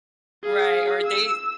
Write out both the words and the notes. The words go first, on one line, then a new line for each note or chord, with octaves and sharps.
Right, or they
G#4 F5
E6